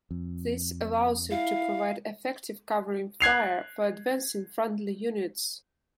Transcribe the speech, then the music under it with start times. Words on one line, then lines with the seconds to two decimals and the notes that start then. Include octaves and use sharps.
This allows it to provide effective covering fire for advancing friendly units.
0.11 F2
1.31 E4 F5
3.20 F#6 G#6 C7 F7